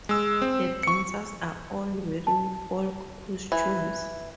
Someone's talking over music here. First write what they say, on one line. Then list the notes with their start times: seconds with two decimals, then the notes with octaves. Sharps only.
The dancers are all wearing Folk costumes.
0.09 G#3 E6
0.42 C4
0.83 C#6 C#7
2.27 A5
3.52 E3